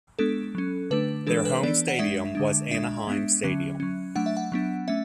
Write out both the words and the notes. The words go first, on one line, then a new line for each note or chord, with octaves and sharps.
Their home stadium was Anaheim Stadium.
G#3 B3 D4 A4
F#3 C#4
D3 A3 D4 B4
E3 G#3 D4 A4
B4
E3 B3 D4 D5
F#5
G#3 D4 E5
D3 G#3 D4
G#3 D4 E5
G#3 B3 D4
D3 F#3 C#4
F#3 C#4
F#3 A3 D4 F#5
E5
F#5
F#3 B3 D4
A3 C#4 E5